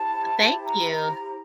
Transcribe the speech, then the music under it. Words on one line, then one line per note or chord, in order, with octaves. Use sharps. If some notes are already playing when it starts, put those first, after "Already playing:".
Thank you.
Already playing: E4 G4 C5 A5
A#5